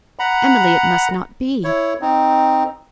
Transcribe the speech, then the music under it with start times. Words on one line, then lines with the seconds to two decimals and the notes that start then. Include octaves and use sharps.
"Emily, it must not be."
0.19 F#5 A#5 B5
1.64 E4 C#5
2.02 C4 D#4